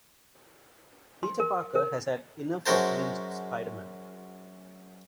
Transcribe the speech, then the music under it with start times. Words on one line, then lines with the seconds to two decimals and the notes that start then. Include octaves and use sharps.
Peter Parker has had enough of being Spider-Man.
1.23 C6
1.40 A#4
1.75 A#4
2.66 F#2 G#3 F#4 A#4 C5 A5